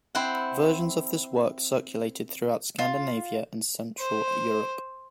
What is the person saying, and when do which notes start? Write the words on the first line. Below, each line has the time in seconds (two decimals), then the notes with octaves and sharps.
Versions of this work circulated throughout Scandinavia and Central Europe.
0.15 C4 E4 C5 F#5
2.78 F4
3.99 C5